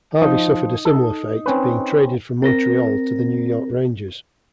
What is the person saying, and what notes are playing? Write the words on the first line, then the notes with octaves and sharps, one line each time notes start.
Harvey suffered a similar fate, being traded from Montreal to the New York Rangers.
F3 D#4
A4
C4 C#4 B4
C4 A#4 A#6